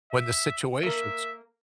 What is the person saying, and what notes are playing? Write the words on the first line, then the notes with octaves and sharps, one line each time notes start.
when the situation's
E5
A#3 A#4 E5